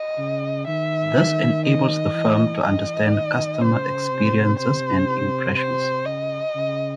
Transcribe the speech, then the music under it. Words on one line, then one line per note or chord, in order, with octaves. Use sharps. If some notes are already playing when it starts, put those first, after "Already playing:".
This enables the firm to understand customer experiences and impressions.
Already playing: D#5
C#3
D#3 E5
D#3
D#5
E3
E3 D#5
D#3
C#3 C5
C3
C3 C5
C5
C#3 D#5
C#3